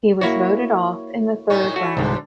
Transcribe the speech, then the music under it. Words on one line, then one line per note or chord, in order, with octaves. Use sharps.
He was voted off in the third round.
A#3 E4 F#4 C#5
A2 D#4 C#5
A3 F#4
C2 G#2 B2 D3